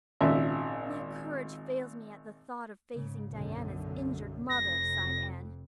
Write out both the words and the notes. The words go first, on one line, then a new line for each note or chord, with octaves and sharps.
"My courage fails me at the thought of facing Diana's injured mother," sighed Anne.
G#1 A#2 C#3 E5
G#2 C#3
B1 F#2 D3
F1 F2 A#6